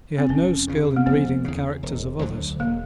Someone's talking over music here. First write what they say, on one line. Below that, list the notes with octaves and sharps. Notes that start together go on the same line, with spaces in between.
He had no skill in reading the characters of others.
C4
F1 C#4
E2 C#3
B3
F1 C4
E2 C#3
E1
D2 D3 F#3
E1 A#3